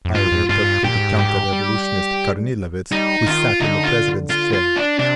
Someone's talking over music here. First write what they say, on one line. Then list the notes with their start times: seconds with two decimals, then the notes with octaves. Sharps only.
I went up to the counter-revolutionist Kornilovitz who sat in the president's chair.
0.05 F2
0.15 G2 F4
0.32 F2
0.49 G2 F4
0.60 G#2
0.67 G2
0.84 A#2 G4
0.97 G#2
1.09 G2
1.19 G#2 G4
1.53 G3
2.92 G3 D#4
3.27 D#3 F4
3.60 D3 D#4
3.84 F4
4.30 F4
4.53 F4
4.76 D4
4.99 C3 D4